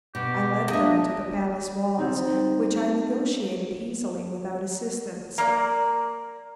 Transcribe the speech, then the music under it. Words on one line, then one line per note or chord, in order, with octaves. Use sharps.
I led them to the palace walls, which I negotiated easily without assistance.
B2 G4
A#3 D4 D#5 E5
G3 C4 D#4
A#3 D5